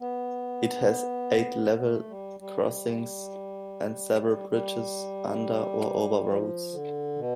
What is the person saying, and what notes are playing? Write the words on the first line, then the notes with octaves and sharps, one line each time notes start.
It has eight level crossings and several bridges under or over roads.
B3
B3
A3
G3
G3
G3
F3
D3
B2